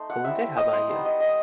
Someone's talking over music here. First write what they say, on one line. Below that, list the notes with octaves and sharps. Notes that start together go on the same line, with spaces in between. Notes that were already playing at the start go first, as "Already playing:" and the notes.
Going good, how 'bout you?
Already playing: A3 D#4 C5
F#5
G3 C4 E4 E5
D#5
C5
G3 B3 D#4 C5
D#5
D#5